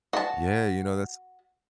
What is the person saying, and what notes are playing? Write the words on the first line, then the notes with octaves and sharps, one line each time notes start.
Yeah, you know, that's
F#4 A5